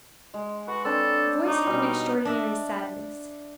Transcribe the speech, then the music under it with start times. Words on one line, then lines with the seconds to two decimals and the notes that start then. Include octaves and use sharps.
The voice had an extraordinary sadness.
0.34 G#3
0.68 F#4 B4
0.85 C4 D4 A4 C#5
1.46 D#4 C#6 D6
1.66 B2 G3 C#4
2.25 D4 D#5 E5